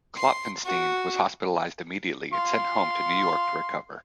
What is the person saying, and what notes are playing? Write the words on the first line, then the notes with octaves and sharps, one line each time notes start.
Klopfenstein was hospitalized immediately, and sent home to New York to recover.
C6
F#4
F5 C6